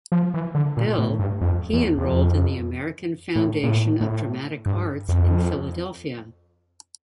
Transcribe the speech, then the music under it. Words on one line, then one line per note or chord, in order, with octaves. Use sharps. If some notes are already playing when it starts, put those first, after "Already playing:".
Bill, he enrolled in the American Foundation of Dramatic Arts in Philadelphia.
F3
E3
D3
A#2
A2
G2
F2
E2
E2
F2
A2
A#2
A2
A2
G2
F2